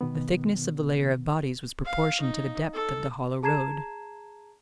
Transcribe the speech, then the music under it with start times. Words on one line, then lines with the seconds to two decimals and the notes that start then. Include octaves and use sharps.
The thickness of the layer of bodies was proportioned to the depth of the hollow road.
0.01 B2 D#3 B3
1.85 F5
2.20 D#4
2.74 A4
3.43 G#4 A5 A#5 G#6 C7 E7